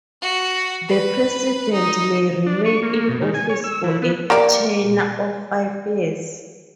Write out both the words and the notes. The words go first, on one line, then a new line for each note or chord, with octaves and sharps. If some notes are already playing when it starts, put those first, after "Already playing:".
The president may remain in office for a tenure of five years.
F#4
B4
D#4
D4
C#6
A#3
A#3
B2
D#3
G#5
C#5
E6
E3
B3
A#3 G4 D5